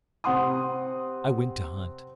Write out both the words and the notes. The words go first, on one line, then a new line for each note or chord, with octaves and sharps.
I went to hunt.
C3 C4 F#5 C6 D#6